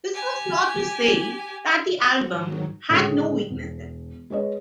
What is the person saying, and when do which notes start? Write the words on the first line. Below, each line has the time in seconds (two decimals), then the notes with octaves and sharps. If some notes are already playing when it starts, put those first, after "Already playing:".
This was not to say that the album had no weaknesses.
0.14 G4 G#5
1.94 F#4
2.28 G#2 D#3 F#3
2.89 C#2 A2 D3 G#3 D#6
3.51 E1
4.30 G#3 B4 C#5 D#5